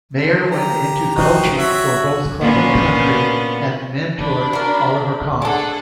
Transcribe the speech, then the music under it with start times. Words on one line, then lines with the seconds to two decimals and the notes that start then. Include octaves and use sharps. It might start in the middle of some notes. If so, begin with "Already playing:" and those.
Maier went into coaching for both club and country and mentored Oliver Kahn.
0.14 D3
0.51 G4 A#5
1.16 C4 D#4 F#4
1.58 F#4 C#5 E5
2.41 A#2 A#3 B3 C#4 D4 F4
4.18 D4 B5
4.53 F#4 A#4
5.42 G#3 D4 G#4 A4 F#5